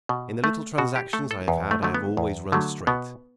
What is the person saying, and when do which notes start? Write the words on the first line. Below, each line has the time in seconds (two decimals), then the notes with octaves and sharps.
In the little transactions I have had I have always run straight.
0.09 B2
0.44 A3
0.78 B2 F#4
0.96 G4
1.13 A3 A4
1.31 A4
1.48 E2
1.71 A3
1.83 D3 F#3 A3
1.95 B3
2.17 E2
2.52 D3 F#3 A3
2.87 B2 B3